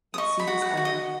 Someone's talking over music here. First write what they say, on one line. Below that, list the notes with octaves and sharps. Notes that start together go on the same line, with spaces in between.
Its seat is Emory.
D#6
D#5 C#6
B5
F#4
F#5
F#4
D#5